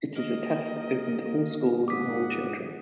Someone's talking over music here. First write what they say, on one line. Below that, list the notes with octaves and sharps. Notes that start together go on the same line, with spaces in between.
It is a test open to all schools and all children.
A#3 D#5
G#2 C#3 F#5 D6 D#6 B6